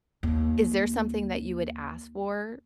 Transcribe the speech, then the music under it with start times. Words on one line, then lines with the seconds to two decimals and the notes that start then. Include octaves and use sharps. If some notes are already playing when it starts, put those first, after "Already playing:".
is there something that you would ask for,
0.23 D#2 D4